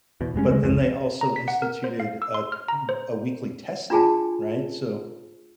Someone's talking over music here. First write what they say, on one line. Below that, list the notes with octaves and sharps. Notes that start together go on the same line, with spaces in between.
but then they also instituted a m a weekly testing, right? So,
E2 B2
F1 G2 G#3 C#4
D2 C#3 G#3
C2 F2 G#2
A#5
B6
F#5
A#4
C5
F5
E6
C6
F6
A#5
C5
D4 F4 F#4 G#4 G#5 A5